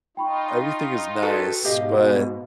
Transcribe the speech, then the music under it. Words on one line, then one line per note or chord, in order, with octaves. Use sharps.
everything is nice, but,
D#4 F4 G5 B5 C#6
F#4 A4 B4
G#2 B2 G4 D#5 F5